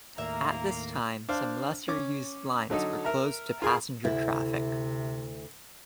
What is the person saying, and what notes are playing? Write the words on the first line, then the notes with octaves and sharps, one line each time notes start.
At this time some lesser-used lines were closed to passenger traffic.
D#2 A2 A#3 E5 A#5
D4 C5 F5
C#4 D6
D3 F#3 D#4 A4
A#4 E5 A#5
F4 G#4 A#4
D2 C3 E4